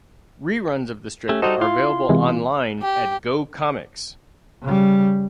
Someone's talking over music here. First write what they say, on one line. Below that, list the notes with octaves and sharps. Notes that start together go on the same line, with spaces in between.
Reruns of the strip are available online at GoComics.
A3 C#4 G4
G3 D#4 F#4 A4 C5 D#5
E4 F4 F5 C6
C3 E3 G#3
G4
C#3 G3